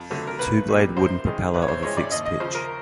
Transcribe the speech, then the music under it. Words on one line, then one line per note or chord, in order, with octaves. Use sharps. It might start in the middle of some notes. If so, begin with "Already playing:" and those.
Two-blade wooden propeller of a fixed pitch.
Already playing: F2
D3 F#3 A3
A#4
B1 B4
A#2 G3
F#2 C5
D#3 G#3
A1 B4
C#5
C5
G2 E3 G#3 C#5
D5
D#2 D#5
D#5
C#3 F3 C5
A#4